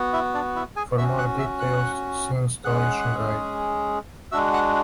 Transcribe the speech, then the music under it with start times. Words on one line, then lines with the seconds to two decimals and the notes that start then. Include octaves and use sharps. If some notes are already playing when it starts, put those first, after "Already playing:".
For more details, see the Installation Guide.
Already playing: B3 F#4
0.13 E4 E5
0.34 D4 D5
0.55 E4 E5
0.76 G#4 G#5
0.97 F#4 E5 E6
1.01 C#4
1.18 F#5 F#6
1.39 E5 E6
1.60 F#5 F#6
2.65 G#3 C#4 G#4 F#5 F#6
4.32 G#3 D4 F#4 E5 E6
4.53 F#5 F#6